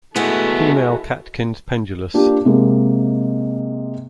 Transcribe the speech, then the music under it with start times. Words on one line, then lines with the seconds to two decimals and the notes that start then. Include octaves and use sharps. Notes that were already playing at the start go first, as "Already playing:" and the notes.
Female catkins pendulous.
0.16 G#3 A3 B3 E4 F#4 A4 B4
2.14 A#3 D4 F4 G4
2.45 C3 G#3 A#3